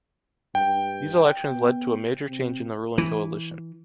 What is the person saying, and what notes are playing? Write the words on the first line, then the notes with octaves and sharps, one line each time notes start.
These elections led to a major change in the ruling coalition.
G2 G5
B3
C3
E3